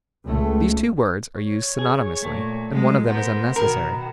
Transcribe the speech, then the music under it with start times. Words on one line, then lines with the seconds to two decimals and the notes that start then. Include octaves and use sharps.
These two words are used synonymously, and one of them is unnecessary.
0.24 C#2 A3
1.37 C#5
1.79 G#4
2.22 A#2 A3
2.70 F#3 G#3
3.09 B3 A#4 C5
3.56 B2 D#3 A#4 B4